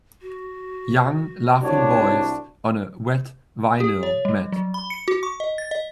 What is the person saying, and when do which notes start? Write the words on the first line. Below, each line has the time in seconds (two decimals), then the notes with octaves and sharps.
Young laughing boys on a wet vinyl mat.
0.22 F#4
1.62 C2 D4 F#4 C#5
3.80 G4
4.03 C#5
4.25 G3
4.52 F#3
4.74 B5
4.90 C#7
5.08 F#4
5.23 C#6
5.40 D#5
5.58 A6
5.71 D#5